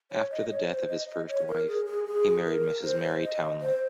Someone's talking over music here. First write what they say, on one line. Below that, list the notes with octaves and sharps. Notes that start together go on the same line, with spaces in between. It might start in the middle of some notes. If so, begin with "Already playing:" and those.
After the death of his first wife, he married Mrs. Mary Townley.
C#5
D#5
C#5
C5
D#5
D#5
C#5
A#4
G#4
G#4
G#4
A#4
C5
D#5
C5